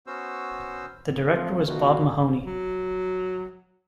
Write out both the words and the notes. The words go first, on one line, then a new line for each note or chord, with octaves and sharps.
The director was Bob Mahoney.
B3 C#4 F#4 C5 E6
F3 A3 C4 F4
D2 B2 D#3 A3 F4 F#4
F#3